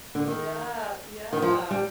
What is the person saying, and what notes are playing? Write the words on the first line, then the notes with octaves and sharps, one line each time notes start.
Yeah, yeah.
D3
D#3
D#3
F3
G3